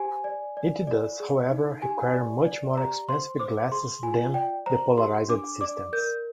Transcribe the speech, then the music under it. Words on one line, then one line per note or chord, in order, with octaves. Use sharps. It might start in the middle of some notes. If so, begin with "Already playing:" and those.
It does, however, require much more expensive glasses than the polarized systems.
Already playing: G4 C5 G#5
D5
D5
D5
G#4
D#4
G4 G#5
D5
D5
G4 A#5
C5 C6
C5 D6
G#4 C6
F4 G#5
D5 G5
C5 A#5
G4 C6
D4 D6
D5 D6
A#4 G6